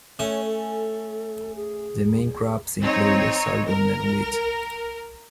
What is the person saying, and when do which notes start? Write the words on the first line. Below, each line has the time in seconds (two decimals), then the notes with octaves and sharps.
The main crops include sorghum and wheat.
0.19 A3 C#4 C#5 G#5
0.44 A4
1.56 G#4
2.82 C4 D#4 C#5
3.66 A#4